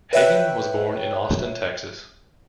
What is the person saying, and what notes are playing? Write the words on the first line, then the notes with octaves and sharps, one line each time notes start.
Hagan was born in Austin, Texas.
B4 C#5 E5 G5 F#6